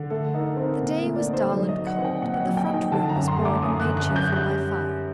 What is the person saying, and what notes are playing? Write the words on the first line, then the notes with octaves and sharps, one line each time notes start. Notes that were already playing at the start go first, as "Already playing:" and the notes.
The day was dull and cold, but the front room was warm and made cheerful by fire.
Already playing: D3
A3 A4
D#4 A#4
C4 A#4
A#2
A#4
A3
D5
D#4
C5
F#3 D5
D#5
D#4
F#5
C4
G5
A#2 F#5
F#5
D#5
F#3
G5
D#4
G5
D3 A5
A#5
F#2
C6
A3
D6
F#2 D#6
F#6
D3
F#6
F#2
G6
G3 F#6